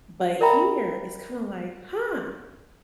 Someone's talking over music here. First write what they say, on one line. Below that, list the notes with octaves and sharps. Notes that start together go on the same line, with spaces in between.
but here it's kinda, like, "Huh,
A#4 D5 E5 G5 A#5 B5